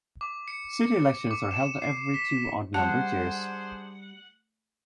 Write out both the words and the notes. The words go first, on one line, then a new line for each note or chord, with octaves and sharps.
City elections are held every two odd numbered years.
D6
C#7
D6
E7
C7
B6
G3 D4 G#4 C5 F#5 A5